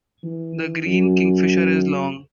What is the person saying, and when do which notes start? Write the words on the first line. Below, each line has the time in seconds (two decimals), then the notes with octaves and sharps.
The green kingfisher is long.
0.23 E3
0.85 F#2